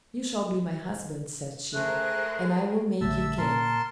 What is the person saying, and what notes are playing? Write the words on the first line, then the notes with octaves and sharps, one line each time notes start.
"You shall be my husband," said she, "and I will make you King."
A3 G#4 A#4 C5 F#6
A#1 D3 A3 E5 A5 E6
A#2 A#4 A5 C6